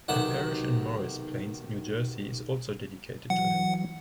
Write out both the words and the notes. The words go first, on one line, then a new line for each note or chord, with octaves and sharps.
A parish in Morris Plains, New Jersey, is also dedicated to him.
B1 C3 D#3 F#5
E3 F#3 F#5